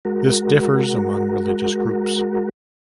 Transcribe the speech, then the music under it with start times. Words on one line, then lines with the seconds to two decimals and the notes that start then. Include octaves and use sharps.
This differs among religious groups.
0.05 G#3 F#4 A#4